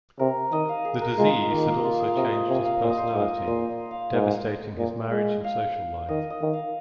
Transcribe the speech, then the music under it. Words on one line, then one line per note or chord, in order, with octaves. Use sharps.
The disease had also changed his personality, devastating his marriage and social life.
C3 A#4
D#3 D#5
F5
G#4
A#4
G#3 F4
D#4
D#3 A#3
A#3
F4
G#4
F5
C3 D#5
D#5
C3 G#5
F5
A#2 C5
D#5
C5
G#2
D#5
A#2 C5
F5
G#2
A#2
G#3
F5
D#3 D#5
D#5
D#3
F5